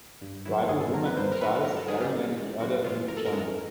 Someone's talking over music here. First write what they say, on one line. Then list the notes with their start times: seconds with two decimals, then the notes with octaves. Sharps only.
Tribal woman and child staring at each other in the jungle.
0.21 G2
0.45 D#3 F#3 E4
0.68 G2 G#4
0.81 A4
0.93 D#3 F#3 A#4
1.05 B4
1.17 G2 C5
1.32 A#4
1.41 D#3 F#3 B4
1.64 G2 A#4
1.77 A4
1.88 D#3 F#3 G#4
2.00 G4
2.12 F#2
2.37 C#3 E3 G#3
2.60 F#2 F#4
2.84 C#3 E3 G#3 F4
3.08 F#2 A#4
3.17 A4
3.26 A#4
3.32 C#3 E3 G#3